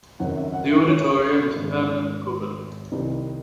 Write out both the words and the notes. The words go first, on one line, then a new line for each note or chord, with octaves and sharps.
The auditorium is permanently covered.
F#1 F#2 D#3 F#3 C4 F#5
E5
F#5
E5
C#5
G#1 G#2 D#3
C2 C3 D#3